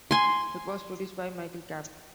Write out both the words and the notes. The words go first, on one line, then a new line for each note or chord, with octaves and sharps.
It was produced by Michael Kapp.
G#5 C6